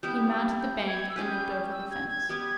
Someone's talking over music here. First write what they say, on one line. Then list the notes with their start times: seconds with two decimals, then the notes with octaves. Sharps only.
He mounted the bank and looked over the fence.
0.03 G3 B3 E4 G6
0.31 E6
0.60 G6
0.87 G#6
1.09 E6
1.16 G3 C#4 G#4 B4 G6
1.72 E6
1.91 G#6
2.11 G#6
2.29 G3 B3 G4 B4